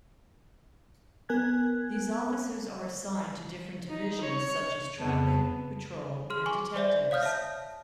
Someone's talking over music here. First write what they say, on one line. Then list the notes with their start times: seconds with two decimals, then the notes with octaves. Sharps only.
These officers are assigned to different divisions such as traffic, patrol and detectives.
1.29 B3 A#4 G#5 F#6 G#6
3.90 D#4
4.22 C#5
4.99 F2 C#3 B3 A5
6.30 G#4 C6 F6
6.46 G#5 C#6 D6
6.76 C5 D5 E5
7.11 C#5 F5 D#6 F6 G6
7.23 E5 A5